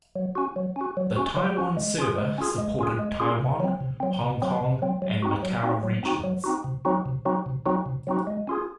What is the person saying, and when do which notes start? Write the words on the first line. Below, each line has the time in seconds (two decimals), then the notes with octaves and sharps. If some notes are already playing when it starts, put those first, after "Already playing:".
The Taiwan server supported Taiwan, Hong Kong and Macau regions.
0.16 F#3
0.35 C#4 F#4
0.56 F#3
0.76 C#4 F#4
0.97 F#3
1.16 C#4 F#4
1.36 F#3
1.57 C#4 F#4
1.77 G#3
1.98 C#4 F4 G#4
2.18 G#3
2.38 C#4 F4 G#4
2.58 G#3
2.79 C#4 F4 G#4
2.99 G#3
3.20 C#4 F4 G#4
3.39 C3
3.60 F#3 C4
3.80 C3
4.00 F#3 C4
4.21 C3
4.42 F#3 C4
4.61 C3
4.82 F#3 C4
5.02 F#3
5.22 C4 D#4 F#4
5.43 F#3
5.63 C4 D#4 F#4
5.83 F#3
6.03 C4 D#4 F#4
6.24 F#3
6.44 C4 D#4 F#4
6.64 C3
6.85 F#3 C4 D#4 F#4
7.06 C3
7.25 F#3 C4 D#4 F#4
7.46 C3
7.66 F#3 C4 D#4 F#4
7.86 C3
8.07 F#3 C4 D#4 F#4
8.27 G#3
8.47 C#4 F4 G#4